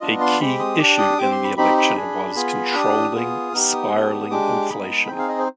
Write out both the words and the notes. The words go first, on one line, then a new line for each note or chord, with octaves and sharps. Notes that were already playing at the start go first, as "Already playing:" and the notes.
A key issue in the election was controlling spiralling inflation.
B3 D4 F4 D#5
C6
G#3 C4 G4 B5
D#6
D4 G4 D6
D6
D#6
C4 G4 D6
C6
B5
C4 D#4 G4 B5
B5
D4 G#4
B3 F4 G#4
D4 G4 D#6
B3 F4 G#4
B3 D#4 G4 F6
D#6
B3 D4 G4
G#3 D4 G4 D6
G#3 B3 D#4 G#4 B5
C4 D#4 G#4 G5
F5
D#5
C5